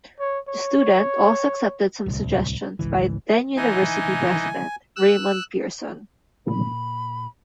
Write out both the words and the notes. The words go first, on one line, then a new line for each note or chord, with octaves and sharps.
"The Student" also accepted some suggestions by then university president Raymond Pearson.
C#5
C#5
D1 C2
G#1 C#2 E3
E3 D#4 G#5
E6 F#6
A#2 B5